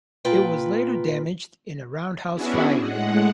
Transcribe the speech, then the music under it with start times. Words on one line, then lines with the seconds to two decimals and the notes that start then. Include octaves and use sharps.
It was later damaged in a roundhouse fire.
0.25 A#2 A#3 F4 B4 G5
2.34 B3 C#4 D4 E4 F#4 G#4
2.78 A2 G#3 F#5